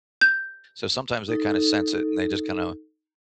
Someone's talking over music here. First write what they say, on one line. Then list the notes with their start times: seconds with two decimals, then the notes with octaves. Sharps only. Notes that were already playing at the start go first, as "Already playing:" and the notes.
so, sometimes they, kinda sense it, and they just, kinda
0.21 G6
1.29 D#4 A4